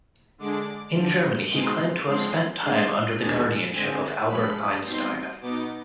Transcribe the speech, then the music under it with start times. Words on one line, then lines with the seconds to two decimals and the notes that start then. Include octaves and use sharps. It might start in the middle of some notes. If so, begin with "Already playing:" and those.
In Germany, he claimed to have spent time under the guardianship of Albert Einstein.
0.38 D3 G#3 D4 D6
0.94 G2 D3 F3
1.51 B2 G#3 C4 D#4 C6
2.06 D3 F3 G#3 C4 C6
2.62 G2 D#3 G#3 D4 C6
3.18 D#2 D#3 G#3 D4 G#5
3.73 D3 G#3 C4 G#5
4.29 G2 F3 G#3 B5
4.85 B2 G3 C4 D#4 C6
5.41 B2 B3 D#4 D6